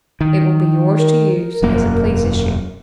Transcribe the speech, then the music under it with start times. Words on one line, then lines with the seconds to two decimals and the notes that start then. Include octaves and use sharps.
It will be yours to use as it pleases you.
0.21 D#3
0.98 A#4
1.62 E1 F#2 A#3